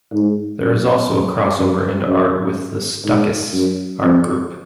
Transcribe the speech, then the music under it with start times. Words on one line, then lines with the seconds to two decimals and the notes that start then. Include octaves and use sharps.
There is also a crossover into art with the Stuckists art group.
0.13 G#2
0.61 F#2
1.10 F#2
1.58 F#2
2.07 F#2
3.04 G#2
3.53 F#2
4.01 F2